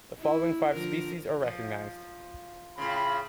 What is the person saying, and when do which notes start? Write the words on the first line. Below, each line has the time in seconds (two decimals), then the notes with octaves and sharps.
The following five species are recognized.
0.19 E4
0.73 D3 F3 A#4
1.43 F3
2.78 A2 C#3 F4 B5